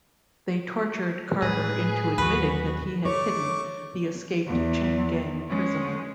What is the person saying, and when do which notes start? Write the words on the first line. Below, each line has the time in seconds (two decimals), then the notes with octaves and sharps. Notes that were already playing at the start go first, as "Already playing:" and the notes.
They tortured Carter into admitting that he had hidden the escaped chain gang prisoner.
1.42 A2 G#3 G#4 B4
2.18 D#2 D#3 F#3 F#4 B4
3.05 A3 C#5 C#6 D6
4.47 E2
5.49 G#3 C#4